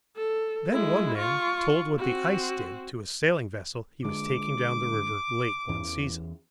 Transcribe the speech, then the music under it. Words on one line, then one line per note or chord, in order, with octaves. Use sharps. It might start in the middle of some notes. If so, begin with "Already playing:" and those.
Then one man told what the ice did to a sailing-vessel he was taking down the river late one season.
A4
G#3 E4
F4 C#6
C4 F#4
D3 G#3 D6
E2 E3 C#4